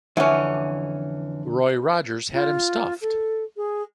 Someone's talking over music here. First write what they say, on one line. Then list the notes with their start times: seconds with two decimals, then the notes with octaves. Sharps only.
Roy Rogers had him stuffed!.
0.17 F2 D3 E3 C#4 F#5
2.33 F4
3.00 A4
3.56 G#4